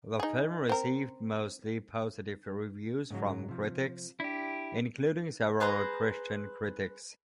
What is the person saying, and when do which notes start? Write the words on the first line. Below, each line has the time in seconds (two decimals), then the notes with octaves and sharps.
The film received mostly positive reviews from critics, including several Christian critics.
0.20 D#4 G#4
0.69 C4 A#4
3.11 G#2 C#3 F#3
3.48 C3 F3
4.20 D4 E4 G4
5.60 G#4 B4 C5 A#5